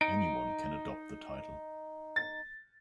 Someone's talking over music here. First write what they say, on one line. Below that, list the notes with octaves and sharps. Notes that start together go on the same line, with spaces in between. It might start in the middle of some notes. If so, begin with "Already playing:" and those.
Anyone can adopt the title.
D#4 D7
A6